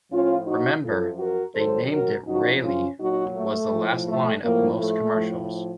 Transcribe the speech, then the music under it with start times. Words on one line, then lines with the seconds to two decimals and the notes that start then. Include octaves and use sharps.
"Remember, They named it Rely" was the last line of most commercials.
0.10 A2 F3 C#4 F4
0.46 D#4 F#4
0.82 F#2 F3 F4 A4
1.18 F#4 A#4
1.55 F#2 D#3 F#3 A4 C5
1.90 F#4 A#4
2.26 F#2 C#3 F3 D#4 F#4
2.62 C#4 F4
2.98 A#2 F#3 D#4 F#4
3.35 A3
3.71 A2 F3
4.07 A3
4.43 A2 F3 A#3
4.79 A3
5.15 A2 F3